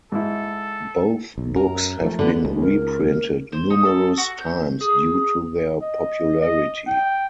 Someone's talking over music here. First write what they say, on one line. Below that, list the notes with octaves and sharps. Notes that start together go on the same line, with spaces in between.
Both books have been reprinted numerous times due to their popularity.
G#2 E4 A4
B1
F#2 A#4
F3 A3
D3 B3
C#2
A#4
C5
D#4
A4
F#4
G6
G#4
D#5
D#5
G5